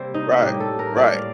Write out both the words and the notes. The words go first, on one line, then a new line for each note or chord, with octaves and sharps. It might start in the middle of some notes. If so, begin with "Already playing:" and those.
right. Right.
Already playing: C3 G3 A#3 C5
D#4
A2 G3 A#3 G4
A4
A#4
A2 G3 A#3 D5
F5